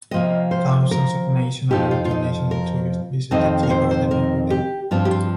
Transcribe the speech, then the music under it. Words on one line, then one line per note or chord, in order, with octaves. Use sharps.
Thousands of national and international tourists visit the tea garden everyday.
C3 F3 A#3 D#5
C5
A#4
F2 F3 D#4 G4
F4
F4
D#4
A#4
F2 D#3 C4 D#4 D#5
A#4
C5
C5
A#4
G4
G2 F3 C4 F4
G4
F4